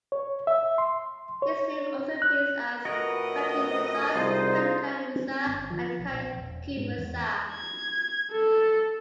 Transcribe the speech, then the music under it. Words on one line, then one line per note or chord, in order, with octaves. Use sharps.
His name also appears as Kankou Musa, Kankan Musa, and Kanku Musa.
C#5
E5
C6
C#5
F#6
F2 A2 F#4 A#4 B4 D#5
C2 D#4 F4 G#4 C5
C4
G1
F3
B1
A#1
E1
G#2
E2
G#6
A4